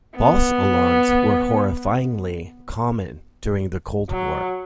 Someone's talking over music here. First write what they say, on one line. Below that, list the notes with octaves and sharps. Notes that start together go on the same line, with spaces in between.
False alarms were horrifyingly common during the Cold War.
B3
F#3